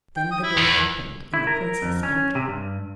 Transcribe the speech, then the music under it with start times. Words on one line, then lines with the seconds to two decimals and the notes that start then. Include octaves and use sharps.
Then the door opened, and the princess entered.
0.17 G5
0.31 D#6
0.43 E4
0.58 E2
1.34 E4
1.47 A#4
1.82 F2
2.03 C#4
2.35 C3
2.48 G2